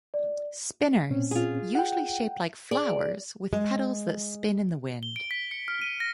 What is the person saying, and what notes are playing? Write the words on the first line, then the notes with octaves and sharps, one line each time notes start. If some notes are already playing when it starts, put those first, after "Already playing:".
Spinners: Usually shaped like flowers with petals that spin in the wind.
D5
A#2 C4 C#4
F4 G#4
F#5 G5
G#4 D5
G#3
G7
D7
B6
C#7
F6
D#7
A#6